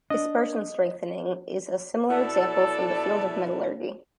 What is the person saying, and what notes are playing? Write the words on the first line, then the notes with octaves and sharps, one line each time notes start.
Dispersion strengthening is a similar example from the field of metallurgy.
D4 D#5
B2 E4 A4 D5 A5